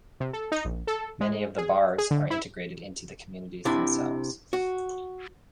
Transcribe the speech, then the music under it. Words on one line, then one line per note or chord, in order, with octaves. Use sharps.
Many of the bars are integrated into the communities themselves.
C3
A4
D#4
A#1
A4
G#3
G#4
G#4
D3
E4
C3 D4 E4 A5
F#4